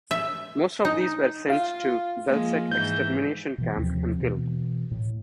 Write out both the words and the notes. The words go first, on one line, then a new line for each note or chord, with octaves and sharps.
Most of these were sent to Belzec extermination camp and killed.
E5
D#4
F4 F5
F3 G#3 A#3
G#2 E3 G6
B2 E3
D#2 C3 F3 C4
B2 E3
A2